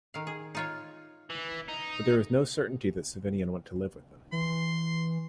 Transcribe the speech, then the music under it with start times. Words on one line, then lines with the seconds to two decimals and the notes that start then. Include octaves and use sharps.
But there is no certainty that Savinien went to live with them.
0.14 D#3 F5
0.27 G#4
0.55 D#4 F4 C#5
1.30 E3
1.68 D#4
4.32 E3 C6